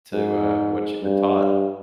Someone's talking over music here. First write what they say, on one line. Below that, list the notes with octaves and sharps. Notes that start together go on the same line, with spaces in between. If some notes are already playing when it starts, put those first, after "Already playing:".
to, uh, what you've been taught,
G#2
G2